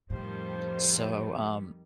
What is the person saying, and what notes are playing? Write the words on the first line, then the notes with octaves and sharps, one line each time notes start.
So, um
F2 A2 D#3 F3 G3 C5